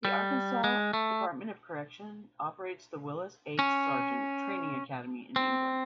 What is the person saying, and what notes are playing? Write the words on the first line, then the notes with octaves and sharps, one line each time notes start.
The Arkansas Department of Correction operates the Willis H. Sargent Training Academy in England.
G3
G#3
A3
C#4
C4